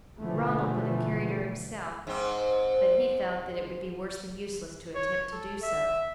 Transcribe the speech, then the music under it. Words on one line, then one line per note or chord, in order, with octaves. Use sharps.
Ronald would have carried her himself, but he felt that it would be worse than useless to attempt to do so.
B2 D3 E3 F3 A3
G#2 C4
C#5
A4
E5